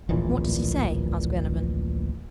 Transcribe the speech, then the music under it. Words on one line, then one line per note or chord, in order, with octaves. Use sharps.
"What does he say?" asked Glenarvan.
D1 A#1 A#2 E3